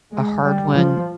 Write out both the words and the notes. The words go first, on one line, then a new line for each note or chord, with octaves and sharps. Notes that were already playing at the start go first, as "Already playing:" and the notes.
a hard one
G#3
G3
F3